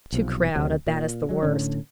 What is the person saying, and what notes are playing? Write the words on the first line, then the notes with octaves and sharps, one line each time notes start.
Too crowded, that is the worst.
B1 C3 F3
D2 C3 F#3
A#2
F#3 G#3
A2 D3 C#4